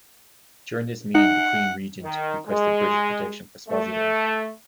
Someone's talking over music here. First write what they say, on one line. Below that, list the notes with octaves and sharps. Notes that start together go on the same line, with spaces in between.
During this meeting the Queen Regent requested British protection for Swaziland.
D#4 F#5
D#3
G#3
A3